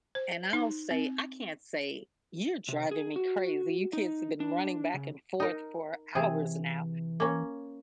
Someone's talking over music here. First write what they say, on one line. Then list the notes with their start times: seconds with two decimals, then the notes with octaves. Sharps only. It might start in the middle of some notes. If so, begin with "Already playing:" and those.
and I'll say, I can't say, "You're driving me crazy. You kids have been running back and forth for hours now,"
0.15 C5
0.53 D#4
0.91 C4
2.68 C3
2.91 G#4
3.16 F#4
3.93 D#4
4.40 D4
4.94 C#3
5.40 D#4 A#4
6.15 C3 E3 G#4
7.20 A#3 C#4